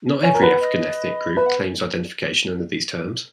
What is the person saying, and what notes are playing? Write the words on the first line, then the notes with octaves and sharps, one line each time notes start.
Not every African ethnic group claims identification under these terms.
C#5 G#5
A#4
B4 F#5
D#5
B4 E5
F#5